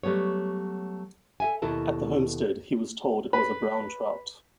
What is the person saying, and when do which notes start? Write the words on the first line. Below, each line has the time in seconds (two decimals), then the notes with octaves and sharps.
At the homestead, he was told it was a brown trout.
0.03 F#3 G3 A3 B3 C#5
1.40 A4 E5 G#5
1.62 D#2 B2 E4 A4 A#4 A5
3.33 B4